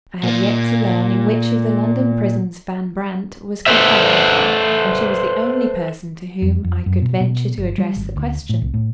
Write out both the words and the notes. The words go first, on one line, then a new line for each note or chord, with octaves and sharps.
I had yet to learn in which of the London prisons Van Brandt was confined; and she was the only person to whom I could venture to address the question.
A#2 A#3
A4 B4 C5 E5
F2
F2
F#2
B2
B2
G1
G3
G#1
D2
A2
C2
A2